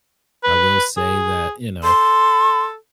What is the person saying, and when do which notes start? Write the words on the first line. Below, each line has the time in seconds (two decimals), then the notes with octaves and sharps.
I will say that, you know
0.44 B4
0.97 G#4
1.84 A4 C6